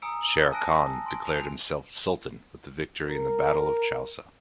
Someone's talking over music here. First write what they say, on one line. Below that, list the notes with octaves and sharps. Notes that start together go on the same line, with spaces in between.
Sher Khan declared himself Sultan with the victory in the battle of Chausa.
G#5 A#5 D#6 E6 C#7 D7
G#5 A5 E6 F#6 A#6 D7
C6 D7
F7
A#4